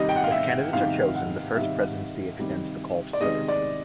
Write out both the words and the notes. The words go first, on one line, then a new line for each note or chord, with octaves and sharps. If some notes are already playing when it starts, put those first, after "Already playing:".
If candidates are chosen, the First Presidency extends the call to serve.
Already playing: C3 D#3 G3 D#5
G5
F#5
F5
E5
C3 D#3 G3 F5
F#5
C3 D#3 G3 E5
C3 D#3 G3
D5
C3 D#3 G#3 D#5
D5